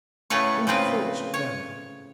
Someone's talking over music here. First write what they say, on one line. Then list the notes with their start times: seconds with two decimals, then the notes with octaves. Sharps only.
Who filched them?
0.30 A2 C#3 A3 B4 C#5
0.67 C#3 F3 C4 B4
1.34 C#5